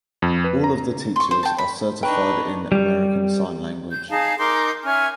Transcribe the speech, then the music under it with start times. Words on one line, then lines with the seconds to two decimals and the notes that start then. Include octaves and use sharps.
All of the teachers are certified in American sign language.
0.22 F2
0.44 B4
0.64 A#5
1.16 C6 C#6
1.31 C5
1.43 G5 A5
1.58 B5
2.03 D4 D#4 B4 G5 A#5 C#6
2.72 G3
3.91 G6
4.09 D#4 G#4 F5 A5
4.38 D#4 A#4 C6 D6
4.84 C#4 E5 G#5 F6